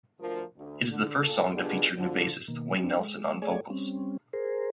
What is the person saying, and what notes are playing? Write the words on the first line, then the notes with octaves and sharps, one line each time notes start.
It is the first song to feature new bassist Wayne Nelson on vocals.
D2 F3 A#4
D2
D3
A#2 A4
B2 D3 G3 D4 F4 G#4
D3 F3
B2 D#3 A#3
C4 D4
G#3
A3 G#4 C#5 D5 G#5
G3 C4 C#4
G#4 A#4 C5